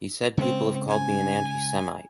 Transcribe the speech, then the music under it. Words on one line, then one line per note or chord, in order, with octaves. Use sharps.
He said People have called me an anti-Semite.
C#3 G#3 C4 C#4
G#5